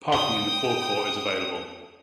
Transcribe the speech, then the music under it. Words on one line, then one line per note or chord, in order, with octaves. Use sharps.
Parking in the forecourt is available.
G5 D#6 G7